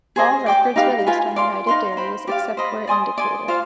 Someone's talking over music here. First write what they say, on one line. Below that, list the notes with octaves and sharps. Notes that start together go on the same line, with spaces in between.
All records released on United Dairies, except where indicated.
G#4 C5 D#5 G#5
D5 G5 D6
D#4 G4 B4 F5
F4 B4 F5 G#5
D5 F5 C6
D#4 B4 F5 C6
C5 G5 B5
G4 D5 F5
C5 D#5 B5
D5 G#5 C6 D#6
D5 G#5 C6
F4 C5 F5